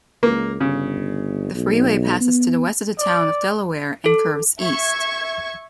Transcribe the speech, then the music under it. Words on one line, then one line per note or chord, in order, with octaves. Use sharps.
The freeway passes to the west of the town of Delaware and curves east.
C#2 A#3
G1 C#3
B1
B3
D5
A4
E5 C#6 G#6